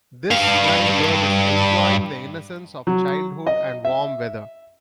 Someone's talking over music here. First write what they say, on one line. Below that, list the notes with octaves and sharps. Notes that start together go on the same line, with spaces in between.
This young girl is enjoying the innocence of childhood and warm weather.
G2 F5
F#3
D#5
E5